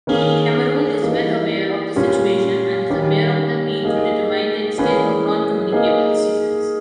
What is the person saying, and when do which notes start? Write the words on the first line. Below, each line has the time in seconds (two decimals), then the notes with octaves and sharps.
Cameroon is well aware of the situation and is aware of the need to determine the extent of non-communicable diseases.
0.07 D#3 A#3 C#4 G#4
1.02 E3 G3 A#3 D#4
1.96 A#2 G3 C#4
2.90 D#3 G3 C#4 G4
3.83 A#3 D#4 G#4
4.78 E3 A#3 C#4 G#4 B4
5.72 A#3 D#4 G#4